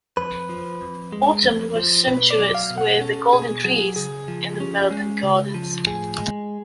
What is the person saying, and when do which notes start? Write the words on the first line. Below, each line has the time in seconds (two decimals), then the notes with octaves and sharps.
Autumn was sumptuous with the golden trees in the Meudon gardens.
0.17 F2 B4
0.49 F3
0.81 F2
1.12 G#3
1.43 F2
1.76 F3
2.07 B2 B4
2.30 D5
2.38 F#3
2.55 F5
2.70 B2
2.78 F#5
2.93 G#4
3.01 C#4 A4
3.33 B2 G#4
3.64 F#3 G#4
3.96 C#3 G#4
4.28 F3
4.60 C#4
4.91 G#3
5.23 C#3
5.54 F3
5.86 A2 G#4
6.18 G#3